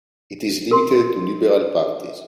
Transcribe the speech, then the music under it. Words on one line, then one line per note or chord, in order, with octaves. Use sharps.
It is limited to liberal parties.
A#4 C6